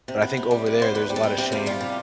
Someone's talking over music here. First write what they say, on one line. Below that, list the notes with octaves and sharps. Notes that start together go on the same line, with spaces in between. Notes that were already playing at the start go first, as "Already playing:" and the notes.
but I think over there, there's a lotta shame
C3
B3
C3
G3
C3
B3 C5
E2 B4
G3
A4
C4
C3 G4
E2 F4
G3 F4
C3